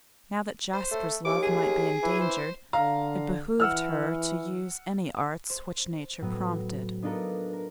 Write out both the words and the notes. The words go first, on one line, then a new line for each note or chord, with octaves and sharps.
Now that Jasper's love might be endangered, it behoved her to use any arts which nature prompted.
C5
A3
D#2 D6
G#4
E3
C5
D3 F5 A#5
E3 F#5 E6 F6
C5
A2 F#3 B3
B3 D4 D#4 F4 A4 A#4
A#4